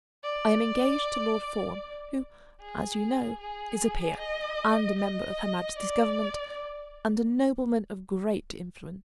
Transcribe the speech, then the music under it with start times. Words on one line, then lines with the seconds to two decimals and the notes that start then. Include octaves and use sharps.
I am engaged to Lord Fawn, who, as you know, is a peer, and a member of Her Majesty's Government, and a nobleman of great influence.
0.23 D5
2.61 G#4
3.41 G#4
4.19 D#5
4.99 D#5
5.78 D5